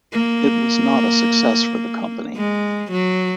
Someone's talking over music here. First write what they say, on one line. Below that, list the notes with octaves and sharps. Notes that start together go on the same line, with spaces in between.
It was not a success for the company.
A#3
G#3
F#3